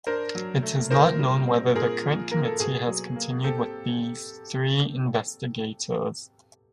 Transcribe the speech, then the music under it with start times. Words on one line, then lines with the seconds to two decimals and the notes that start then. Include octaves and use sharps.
It is not known whether the current committee has continued with these three investigators.
0.07 D4 A#4 C5
0.35 F#3
0.62 A3
0.90 A#2 A#4 C5
1.19 G3
1.47 C4
1.75 A#2 G#4 A#4
2.03 F3
2.31 A#3 A#4
2.45 A4
2.60 B2 G#4
2.87 F#3
3.16 A#3
3.44 C4 G4 A4